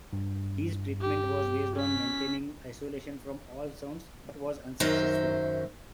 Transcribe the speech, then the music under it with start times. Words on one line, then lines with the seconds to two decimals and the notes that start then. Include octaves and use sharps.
His treatment was based on maintaining isolation from all sounds, but was unsuccessful.
0.13 G2
1.01 G4
1.76 C#4 B6
4.80 F#2 D#3 F#3 C5 E5